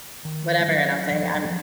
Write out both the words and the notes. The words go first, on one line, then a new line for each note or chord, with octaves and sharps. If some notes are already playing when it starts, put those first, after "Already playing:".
whatever, and I'll say, "I'm,
D#3
G3
F#3
E3
F3
F#3
F3